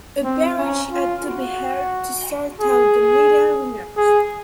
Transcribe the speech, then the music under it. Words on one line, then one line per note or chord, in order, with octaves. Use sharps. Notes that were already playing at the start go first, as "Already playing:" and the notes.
A barrage had to be held to sort out the medal winners.
C4
C#4
F4
F#4
G#4
G#4